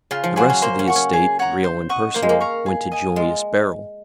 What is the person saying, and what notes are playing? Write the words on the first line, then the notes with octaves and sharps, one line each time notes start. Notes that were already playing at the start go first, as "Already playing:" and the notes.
The rest of the estate, real and personal, went to Julius Beryl.
C#3 F4
F3
F#3 G#4 C5 F#5
C#4
A#3 C5
C#4
F#5 C#6
C#4
G#4
C#5 F#5 A#5
C5
D#5 F#5 C#6
A#3 C5
G#3
A#3
F5 A#5 C#6
G#4
D#5 G#5
G#3 F4